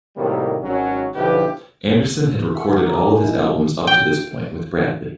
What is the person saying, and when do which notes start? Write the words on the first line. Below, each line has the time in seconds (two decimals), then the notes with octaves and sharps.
Anderson had recorded all of his albums up to this point with Bradley.
0.17 A2 C3 D#3 F#3 G3 A#3
0.61 G#1 F#3 C#4
1.15 B1 D3 F3 E4 G4 B4
2.55 E5 F#5 C#6
2.83 G#4 A#5 D6
3.06 A#4 G#5
3.24 E4 D#5
3.87 G5